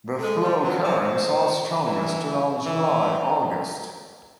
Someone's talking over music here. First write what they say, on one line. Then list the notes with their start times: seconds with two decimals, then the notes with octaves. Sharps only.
The flow currents are strongest around July-August.
0.19 A4
0.23 G#3 G#4
0.43 G3
0.64 F#3 B4
0.84 F3
1.04 F3 C5
1.85 E3
2.66 E3